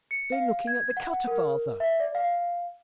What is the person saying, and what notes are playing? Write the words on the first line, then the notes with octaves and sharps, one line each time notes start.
"Been looking at the cutter, father?"
C#7
F5
G#6
F#5
A#4
E5
D5
F5